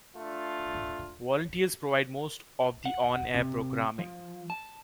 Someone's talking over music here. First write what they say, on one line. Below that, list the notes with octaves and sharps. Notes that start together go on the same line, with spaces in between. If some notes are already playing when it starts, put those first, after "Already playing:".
Volunteers provide most of the on-air programming.
A3 D4 F4
F#5
C3
F3
A5